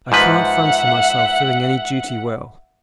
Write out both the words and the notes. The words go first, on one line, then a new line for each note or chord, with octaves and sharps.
I can't fancy myself doing any duty well.
G#2 F3 B4 E5 F#5